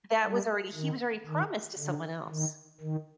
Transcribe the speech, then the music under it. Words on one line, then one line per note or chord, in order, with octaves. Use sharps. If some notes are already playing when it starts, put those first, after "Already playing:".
that was already he was already promised to someone else.
G3
D#3
D#3
D3
D#3
D#3